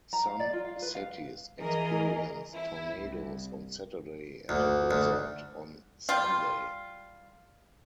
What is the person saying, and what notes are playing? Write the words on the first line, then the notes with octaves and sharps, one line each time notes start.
Some cities experienced tornadoes on Saturday and a blizzard on Sunday.
A#5
F5
D5
F4
F5
B4
F5
E3 G#4 A#4 D#5
E4
C2
D2
D2
G3 F4